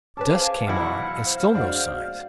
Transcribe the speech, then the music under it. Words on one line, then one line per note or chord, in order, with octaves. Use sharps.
Dusk came on, and still no signs.
C#4 G#4 B4 A5 D6
C5 F5 G#5
B1 E2 E4 D#5 F5 F#5
C5
F2 G#3 D4 F#4